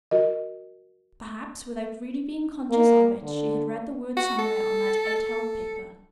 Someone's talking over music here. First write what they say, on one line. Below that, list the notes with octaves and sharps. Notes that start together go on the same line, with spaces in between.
Perhaps, without really being conscious of it, she had read the word somewhere on that outheld paper.
F#4 A#4 D#5
A#3
D3
F#4
A4
A4